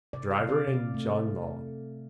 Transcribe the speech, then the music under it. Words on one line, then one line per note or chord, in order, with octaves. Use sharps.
Driver in John Long's.
C3 D5
F5
C3
D5
C3
A3